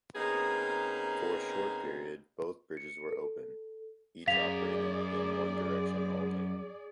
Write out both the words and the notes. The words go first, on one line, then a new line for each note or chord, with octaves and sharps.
For a short period both bridges were open, each operating in one direction only.
C3 A#3 B3 C#4 D#4 G#4
C#7
A4
F#2 G#4 D5 F5 B6 F7